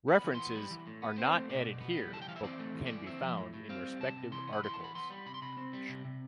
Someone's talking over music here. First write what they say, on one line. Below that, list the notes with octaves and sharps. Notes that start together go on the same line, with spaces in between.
References are not added here but can be found in respective articles.
B3
B5
E3
C6
B3
G3 B5
E3
A2
B3
C4 C5
A3
B2 D5
B2
B3
G3
E3 A5
G5
E3 F5
E5
C4 D5
A3
E3
D5
E3
C4 E5
F3
A2
A2
C4 F5
G3
C3 A5
C3
E3 C6
B3
B5
E3 C6
A5
B3
B5
B3 C6
G3 B5
C3 B5
C6
C3 B5
C4
G3
C3
C3